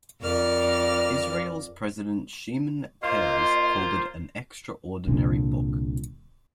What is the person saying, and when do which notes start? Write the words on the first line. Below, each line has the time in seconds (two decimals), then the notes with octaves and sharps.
Israel's president Shimon Peres called it "an extraordinary book".
0.21 F2 A#4 D5 F6
3.03 A#3 F4 C5 D#5
5.07 C2 A#2 D3